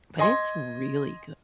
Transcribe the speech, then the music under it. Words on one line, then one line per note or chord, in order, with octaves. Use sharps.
but it's really
D#5 G#5 C6